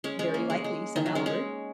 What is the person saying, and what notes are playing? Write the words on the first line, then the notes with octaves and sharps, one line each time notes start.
"Very likely," said Albert.
G#3 C#4
G#3 C#4
A#3
G#3
G#3
D#3
F#3
G#3 C#4
G#3 C#4